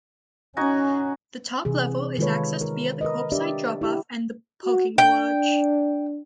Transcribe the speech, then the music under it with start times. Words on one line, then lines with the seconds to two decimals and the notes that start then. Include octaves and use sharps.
The top level is accessed via the curbside drop off and the parking garage.
0.57 C#4 D#4 F#4 G#5
1.65 C3 E3 G#4
2.18 D#3 G#3 F4 A4 B4 C#5
2.61 A#4
3.01 A#4 B4 D#5
3.32 D4 G4 D5 E5
3.81 E4 G4
4.65 F#4
4.98 D4 G5